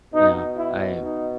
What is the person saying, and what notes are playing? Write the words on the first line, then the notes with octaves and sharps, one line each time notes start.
Yeah. I
B2 D#4
E4
D#4